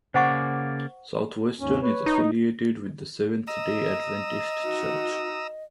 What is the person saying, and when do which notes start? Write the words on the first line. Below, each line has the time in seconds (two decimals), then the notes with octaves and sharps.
Southwestern is affiliated with the Seventh-day Adventist Church.
0.14 C#3 A#3 C5 D5 F#5 C#6
1.60 D#2 G#2 C#4
1.82 B4 C#5
2.06 D#4
3.47 D#5 A#5 D#6 E6
4.63 D#4 F#4